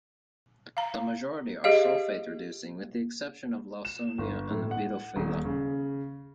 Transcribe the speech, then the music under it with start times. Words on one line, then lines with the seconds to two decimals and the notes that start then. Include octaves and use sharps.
The majority are sulfate-reducing, with the exception of "Lawsonia" and "Bilophila".
0.77 F5 A#5
1.64 G4 G#4 D#5 F5
3.85 E7
4.18 G1
4.51 A2
4.71 F#5
5.16 D#1
5.45 C#3